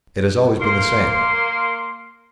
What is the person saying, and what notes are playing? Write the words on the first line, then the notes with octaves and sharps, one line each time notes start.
It has always been the same.
A#3 C6